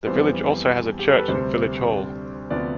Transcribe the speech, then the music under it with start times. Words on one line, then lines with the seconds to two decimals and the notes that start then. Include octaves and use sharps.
The village also has a Church and Village Hall.
0.07 F2 E3 G3 B3 C5
0.99 G4
1.08 A4
1.18 B4
1.28 D2 C3 G3 C5
2.50 D2 C3 F3 B3 D5